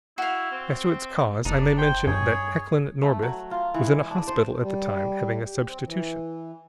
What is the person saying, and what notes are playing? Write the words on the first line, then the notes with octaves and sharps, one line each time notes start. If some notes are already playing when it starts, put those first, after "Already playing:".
As to its cause, I may mention that Eklan Norbith was in a hospital at the time, having a substitution.
E4 F#4 F5
C4
F#1 D4 D#4
C5 G5
G2 G#4 C#5
A3
F#3
F4
E3
G#3
D4
C5
G3
G4
C4
E3